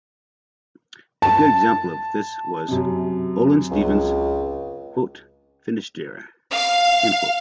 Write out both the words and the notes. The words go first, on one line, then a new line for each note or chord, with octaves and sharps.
A good example of this was Olin Stephens' "Finisterre".
A5
F#2 C3
C#2
F5